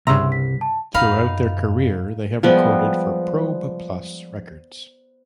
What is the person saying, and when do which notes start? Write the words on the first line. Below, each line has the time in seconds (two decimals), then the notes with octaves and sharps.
Throughout their career, they have recorded for Probe Plus records.
0.07 C2 G2 C#3 E5 A#5 C6 E6
0.32 B6
0.61 A5
0.94 F#2 D#4 F5 B5
2.43 F3 G3 G#3 B3